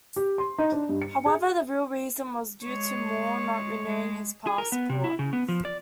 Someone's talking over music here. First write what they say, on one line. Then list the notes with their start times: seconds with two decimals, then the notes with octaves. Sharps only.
However, the real reason was due to Moore not renewing his passport.
0.16 G4
0.38 C6
0.58 D#4
0.72 D4
0.89 G2
1.02 C#7
1.26 G#4
2.65 G#3 C#5
3.86 G#3
4.47 G#4
4.58 A#4
4.72 B3
4.89 C3
5.04 E4
5.19 C#3
5.33 B3
5.48 F3
5.65 D5